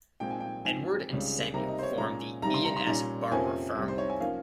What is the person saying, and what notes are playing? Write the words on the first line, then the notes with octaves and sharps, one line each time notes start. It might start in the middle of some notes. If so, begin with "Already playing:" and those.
Edward and Samuel formed the "E and S Barbour" firm.
A#2 G#3 C4 G5
G#5
G5
G#2 F3 C4 G#5
C#2 C#3 G3 C4
C3 G3 A#3 A#5
D#5
C5
C#5
A#2 G#3 C#4 A#5
C3 D#3 G3 A#5
C6
A#5
C6
A#2 G3 C#4 A#5
F2 C3 F3 A#3 C#4 G#5
C2 C3 G3
C5
C#5
G#5
F3 A#3 C#4 F5